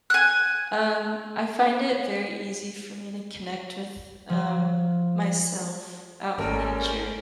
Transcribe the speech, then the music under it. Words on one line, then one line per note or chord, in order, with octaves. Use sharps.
Um, I find it very easy for me to connect with, um, myself out in nature.
G#5 F#6
F3
G#1 G3 G#3 A#3 C#4 A4 A#4